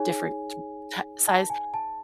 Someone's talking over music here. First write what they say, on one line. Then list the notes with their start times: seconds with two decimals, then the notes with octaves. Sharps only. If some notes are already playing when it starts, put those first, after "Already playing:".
different t ta size,
Already playing: D#4 G#4 C#5 G#5
1.27 A5
1.50 G#5
1.74 A5